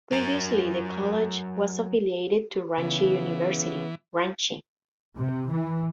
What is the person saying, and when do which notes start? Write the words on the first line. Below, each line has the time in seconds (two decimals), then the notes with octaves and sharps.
Previously the college was affiliated to Ranchi University, Ranchi.
0.12 F#3 A#4
2.78 C#3 E3 B3
5.17 C3
5.48 E3